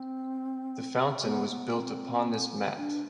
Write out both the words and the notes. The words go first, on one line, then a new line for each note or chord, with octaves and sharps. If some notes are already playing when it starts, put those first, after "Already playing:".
The fountain was built upon this mat.
Already playing: C4
B3
B3
C4
D4